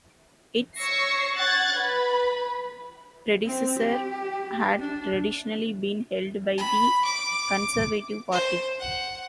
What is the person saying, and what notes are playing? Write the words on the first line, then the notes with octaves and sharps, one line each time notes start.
Its predecessor had traditionally been held by the Conservative Party.
C#5 C#6 E6 A#6 C7
F#5 F#6 G#6 A6
B4 B5
C4
G4
D4
B5
D6
C5
F#5